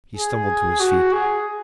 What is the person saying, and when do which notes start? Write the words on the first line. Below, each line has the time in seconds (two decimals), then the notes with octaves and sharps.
He stumbled to his feet.
0.17 G#4
0.80 F#4
1.13 G#4